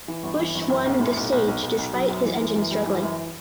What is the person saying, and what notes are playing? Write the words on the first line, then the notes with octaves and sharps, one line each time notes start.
Busch won the stage despite his engine struggling.
E3
G1
E3
G1
F#2
B1
A2
B1
B1
B1
B1
B1
F#3
F#2
E3
E3
F#2
G3
E3
F#2